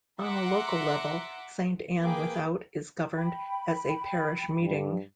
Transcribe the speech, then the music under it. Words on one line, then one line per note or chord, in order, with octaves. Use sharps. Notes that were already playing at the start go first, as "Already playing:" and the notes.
On a local level, Saint Ann Without is governed as a Parish meeting.
E5 F#5 A#5 C6 D6
A#3 G#4 B4 G5 D6
G5 B5
G2